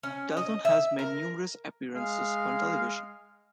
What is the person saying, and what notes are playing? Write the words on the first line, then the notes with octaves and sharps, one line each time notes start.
Dalton has made numerous appearances on television.
C#4
D#5
E5
A#4
G#3 F5